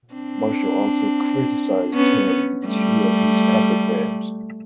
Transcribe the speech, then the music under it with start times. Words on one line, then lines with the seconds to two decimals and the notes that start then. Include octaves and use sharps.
Marcial also criticized him in two of his epigrams.
0.14 C4 D4
1.94 B3 C#4
2.67 G3 A3